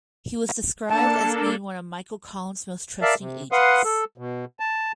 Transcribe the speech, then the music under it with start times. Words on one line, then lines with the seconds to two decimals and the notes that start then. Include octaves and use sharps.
He was described as being one of Michael Collins’ most trusted agents.
0.89 A#3 D4 A4 A5
3.02 A#4 D5 E5 F5 A5
3.20 C3
3.52 B4 F5 F#5 C6 D#6
3.84 A4
4.18 B2
4.60 A5